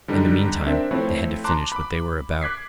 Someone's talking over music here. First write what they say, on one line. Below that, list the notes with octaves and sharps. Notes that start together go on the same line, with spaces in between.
In the meantime they had to finish what they were about.
D3 G3 D4 D#4
C4 D4 A#4 E5
F3 A3 C4 E4 B4 C#5
A5 A#5 C6 D6 F#6
B5 D6
D6 F#6 G#6 B6 C7